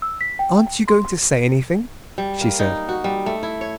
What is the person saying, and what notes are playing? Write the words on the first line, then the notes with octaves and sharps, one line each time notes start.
"Aren't you going to say anything?" she said.
E6
B6
G5
C6
G3
A#3
D#4
F#4
G3
A3
E4
C#5